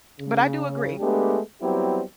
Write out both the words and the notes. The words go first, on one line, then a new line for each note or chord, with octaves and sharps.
But I do agree
C#3
G#3 A3 B3 D4 G4
F#3 G3 B3 C4 E4 G4